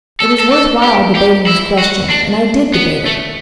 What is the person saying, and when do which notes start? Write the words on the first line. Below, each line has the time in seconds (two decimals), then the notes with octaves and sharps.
It was worth while debating this question, and I did debate it.
0.20 A4
0.39 A4
0.52 A4
0.83 G4
1.15 G4
1.47 E4
1.79 F#4
2.10 D4
2.74 B3
3.06 A3